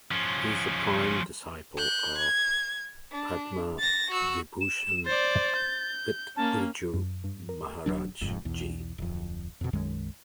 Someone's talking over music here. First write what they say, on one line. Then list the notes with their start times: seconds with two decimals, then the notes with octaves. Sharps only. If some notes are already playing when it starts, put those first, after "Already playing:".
He is the prime disciple of Padma Vibhushan Pt Birju Maharaj Ji.
0.11 F3 C#4
1.77 F#6 G6
2.18 G#6
3.11 D4
3.79 A6 A#6
4.10 F#4 E6
4.61 E7
5.06 C5 D5 A6
5.56 G6
6.36 A#3 C#4 A5
6.94 F#2
7.24 G2
7.49 A#4
7.86 E1 F#2 F#3 D4
8.21 F1 F2 G#2
8.45 B1 E2
8.98 D1 F2
9.61 F2 B2
9.73 B1 F#2 D#3 G#3